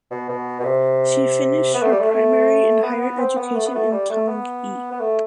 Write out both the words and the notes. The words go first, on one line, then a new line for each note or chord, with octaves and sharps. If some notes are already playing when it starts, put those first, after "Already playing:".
She finished her primary and higher education in Taunggyi.
B2
B2
B2
C3
B3
A3
G3
A3
A3
B3
B3
C4
B3
A3
B3
A3
G3
A3
B3
B3
A3